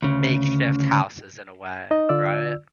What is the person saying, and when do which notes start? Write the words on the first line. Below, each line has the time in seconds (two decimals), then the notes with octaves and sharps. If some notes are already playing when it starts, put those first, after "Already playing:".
makeshift houses, in a way, right?
0.02 D2 C#3
1.91 D#4 D#5
2.09 D3 F4 D5 E6